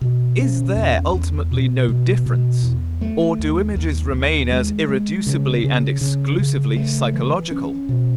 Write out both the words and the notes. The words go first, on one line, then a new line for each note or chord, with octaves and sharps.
Is there ultimately no difference, or do images remain as irreducibly and exclusively psychological?
B2
C#4
E2
E2
B2
B2
B2
E2
A3
D#2
D#2
D#2
G#3
G#3
C#3
C#3
C#3
C#3
A3
E3
C#4
B2